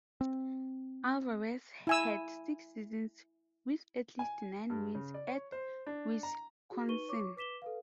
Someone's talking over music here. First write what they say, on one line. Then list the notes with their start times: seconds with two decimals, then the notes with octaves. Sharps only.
Alvarez had six seasons with at least nine wins at Wisconsin.
0.21 C4
1.87 E4 G#5 E6
4.19 G#5
4.70 G2
4.95 C#3
5.14 D5
5.27 C#5
5.52 C5
5.87 D4
6.23 A#5
6.71 F#4 G#4
6.88 D#4 B4 C#6 D#7 G7
7.09 C#5 C#6 D6
7.37 B4 D6 B6 E7 G7
7.62 A4 B4 F5